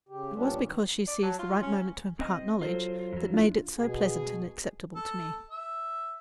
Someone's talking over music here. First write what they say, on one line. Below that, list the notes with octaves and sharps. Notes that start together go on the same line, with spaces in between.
It was because she seized the right moment to impart knowledge that made it so pleasant and acceptable to me.
C#3 G4
A#2 G3 B3 C#4 D4
D#3
D5
F#3 A5
F4 C6
C#4 G#5
C4 D#5
F#3 F4 A4 C5
F2 F#3
D4 E4 F4
B2 G#4
A4
E5